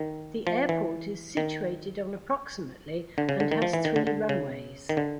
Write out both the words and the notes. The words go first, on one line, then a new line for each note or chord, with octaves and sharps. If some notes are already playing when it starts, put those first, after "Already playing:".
The airport is situated on approximately and has three runways.
Already playing: D#3
F3
E3
D#3
D3
C#3
D3
D#3
F3
E3
D#3
D3
D3
C#3
D#3
D3